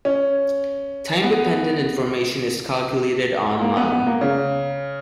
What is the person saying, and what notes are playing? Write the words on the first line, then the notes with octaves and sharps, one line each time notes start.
Time dependent information is calculated on-line.
C#4
B3
A#3
B3
B3
A#3
C#3